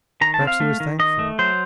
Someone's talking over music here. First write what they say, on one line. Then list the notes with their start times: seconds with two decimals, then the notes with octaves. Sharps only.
Perhaps he was thankful.
0.21 D#3 A#5
0.34 A5
0.41 C4
0.47 F5
0.60 A3
0.80 D#3
0.99 D#3 D#5
1.19 A3
1.39 F#3 C5